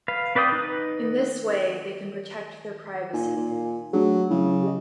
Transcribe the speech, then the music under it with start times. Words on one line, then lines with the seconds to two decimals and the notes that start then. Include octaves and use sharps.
In this way, they can protect their privacy.
0.08 B4 F5
0.35 C4 B4 D5 G5 D#6
0.52 D#4 B4
3.13 A#2 D#4 G#5
3.36 A#2
3.93 F#3 A3 D4 G#4
4.30 C#3 F#3 E4
4.62 G4 D#5